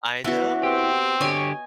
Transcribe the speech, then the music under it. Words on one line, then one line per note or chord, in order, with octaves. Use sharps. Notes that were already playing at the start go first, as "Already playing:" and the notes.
I know.
E3 B3 F#4
C4 G4
D3 G4 C#5 D#5 G#5